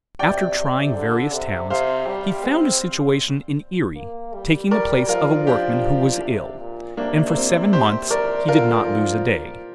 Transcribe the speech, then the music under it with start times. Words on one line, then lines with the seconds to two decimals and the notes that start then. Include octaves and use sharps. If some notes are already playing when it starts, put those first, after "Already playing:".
After trying various towns, he found a situation in Erie, taking the place of a workman who was ill, and for seven months he did not lose a day.
0.19 C3 D5 G5
0.57 C3
0.95 D3
1.33 C3
1.70 C3 C5 F5
2.08 G3
2.45 C4
3.96 A#3
4.34 G3
4.71 G3 A#4 D5
5.09 F3 F4 A#4
5.47 D4 G4
6.23 C3
6.60 A#2
6.97 C3 A#3 D4
7.29 A#3
7.35 C4
7.73 G4 C5
8.10 A#4 D5
8.48 D3 F4 A#4
8.86 F3